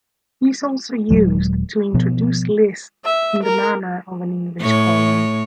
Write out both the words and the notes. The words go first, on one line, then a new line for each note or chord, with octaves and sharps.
It is also used to introduce lists in the manner of an English colon.
D#1 G#1 F#3 G#3
B2 F3 B3
E5
A#4
A2 C#5